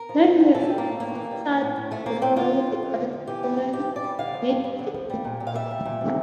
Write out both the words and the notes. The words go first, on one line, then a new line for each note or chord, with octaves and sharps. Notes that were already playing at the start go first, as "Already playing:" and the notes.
Maxim's is featured in the Woody Allen film "Midnight in Paris".
Already playing: A#4
F3
F3
G2
E3 A4
G3
A#3
A2
A2 A#3
E3
G3
F3
A2
A2
F3 A3
F3 A#3
A2 C4
D3 F4
F3
F2
F2
D3
F3
E3 G4
G3
G2
G2 G4
E3
D5
G3
D3 F5
F3
G2
G2
D3
F3
G3
A#2
A#2
F5
G3 E5
G3
A#2
C3